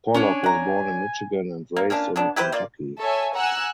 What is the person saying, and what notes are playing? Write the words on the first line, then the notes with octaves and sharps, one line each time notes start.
Pollock was born in Michigan and raised in Kentucky.
C#4 D4 C#5 G#5
F#5 A#5
A#3
A#3 C#4 D4 F4
F#3 B3 D4
E4 G4 B4 C5
A#3 F4 D5
A4 C#5 E5 G#5
F#5 G#5 A#5 E6 F#6